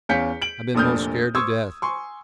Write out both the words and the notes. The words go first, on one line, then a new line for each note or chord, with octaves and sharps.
I been 'most scared to death.
E2 C#4 F5 G6 B6 C#7
D7 F#7
F1 A#2 D4 D#6 F6 G6
C6 C#6 D#6 E6 G#6
G#5 C6 C#6